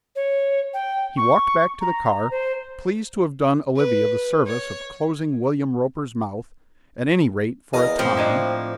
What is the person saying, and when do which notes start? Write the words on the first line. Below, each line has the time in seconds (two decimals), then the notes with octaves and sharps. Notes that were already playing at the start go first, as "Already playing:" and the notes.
He walked back to the car, pleased to have done Olivia the service of closing William Roper's mouth, at any rate for a time.
0.16 C#5
0.74 G5
1.17 C#6
1.81 A#5
2.31 C5
3.76 B4
4.46 C#5
7.74 E2 A#4 D#5 F5
7.99 A2 F3 C4
8.17 A#3 D4 D#5